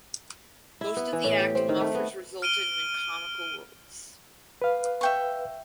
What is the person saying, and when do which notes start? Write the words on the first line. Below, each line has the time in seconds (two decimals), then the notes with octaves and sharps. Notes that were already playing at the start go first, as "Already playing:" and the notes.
Most of the acting offers resulted in comical roles.
0.81 E4
0.96 B3
1.13 E3
1.24 A2
1.40 G4
1.55 C4
1.69 D#3
1.81 A3
1.95 B3
2.42 F6 D7 D#7 G7
4.62 B4 F5
5.01 E5 G5 C#6